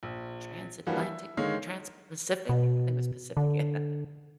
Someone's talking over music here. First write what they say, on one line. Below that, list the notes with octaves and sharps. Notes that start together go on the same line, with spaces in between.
transatlantic transpacific? I think it was Pacific? Yeah,
A#1
E3 F3 G3 A#3 D4 F#4
E5
D3 D#3 G#3 C#5 F5 C7
B2
D3